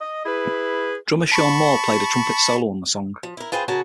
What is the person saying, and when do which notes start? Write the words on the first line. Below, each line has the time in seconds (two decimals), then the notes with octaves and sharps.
Drummer Sean Moore played a trumpet solo on the song.
0.01 D#5
0.25 E4 G#4 B4
1.32 A5 B5 C#6
3.23 F3
3.37 E4 A#4
3.52 F4 G#4 B4 C5 G5
3.68 C#3 F#4 A#4 G#5 A5